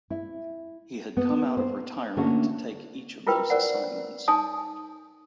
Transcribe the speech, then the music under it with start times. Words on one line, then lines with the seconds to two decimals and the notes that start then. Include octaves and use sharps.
He had come out of retirement to take each of those assignments.
0.10 E4
1.17 B3
1.57 C5
2.17 D3 A3 A#3 C#4 F#4
3.27 E4 F4 A#4 B4 G5
3.50 A#4 C5 D5 F#5
4.28 D#4 C#5 G#5 A5 D#6